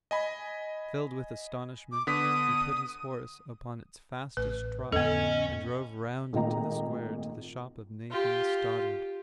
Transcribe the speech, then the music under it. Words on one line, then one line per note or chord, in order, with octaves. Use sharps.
Filled with astonishment, he put his horse upon its fastest trot, and drove round into the square, to the shop of Nathan Stoddard.
D#5 G#5 B5
D6
D3 B3 D#6 B6
A1 B4
F2 A2 D3 B3 C#4 A4 D#5 G#5
G#1 A#2 A3 D#5 G5 A#5
F4 G4